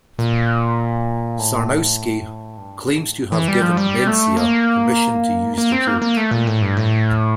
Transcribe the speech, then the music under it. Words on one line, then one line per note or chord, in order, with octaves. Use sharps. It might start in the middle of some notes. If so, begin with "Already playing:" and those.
Sarnowski claims to have given Mencia permission to use the joke.
A#2
A2
G2
A2
A#2
E3
G3
F3
G3
A3
A#3
A#3
C4
A#3
A#3
A3
A#2
A2
G2
A2